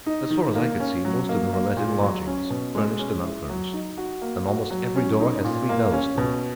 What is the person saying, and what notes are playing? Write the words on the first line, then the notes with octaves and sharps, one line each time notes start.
As far as I could see most of them are let in lodgings, furnished and unfurnished, and almost every door has three bells to it.
D#4
D#3
A#3
C#4
F#3
A#3
A#3
A#2
F#3
C#4
B2
G#3
C#4
E4
F#3
D#4
F#4
A#3
F#4
F#3
C#4
D#4
A#2
A#3
C#4
B2